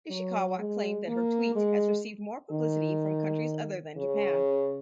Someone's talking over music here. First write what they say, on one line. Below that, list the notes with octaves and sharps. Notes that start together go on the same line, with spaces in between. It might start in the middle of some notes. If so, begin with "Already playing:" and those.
Ishikawa claimed that her tweet has received more publicity from countries other than Japan.
F#3
G#3
A#3
G#3
D#3
C#3